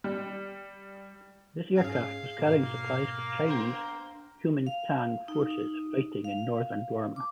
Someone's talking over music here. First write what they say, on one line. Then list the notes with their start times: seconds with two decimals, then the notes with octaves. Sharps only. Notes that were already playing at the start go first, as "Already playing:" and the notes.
This aircraft was carrying supplies for Chinese Kuomintang forces fighting in northern Burma.
0.04 G3
1.77 G#2 C#4 G#4 F5
2.39 G#2 B2 A#3
3.46 B3 C4 D4 A#4 C5
4.67 F5
5.28 D#4
5.51 D#4
6.24 F5
7.16 D6